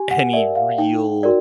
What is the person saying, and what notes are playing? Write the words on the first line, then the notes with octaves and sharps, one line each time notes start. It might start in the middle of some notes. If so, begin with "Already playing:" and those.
any real
Already playing: G4 G#5
F#5
A#4 D5 E5
F5
D#4 G5
F#4 A#4 D5